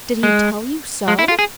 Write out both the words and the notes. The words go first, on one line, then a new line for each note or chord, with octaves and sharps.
"Did he tell you so?"
G#3
G#3
E4
F4
G#4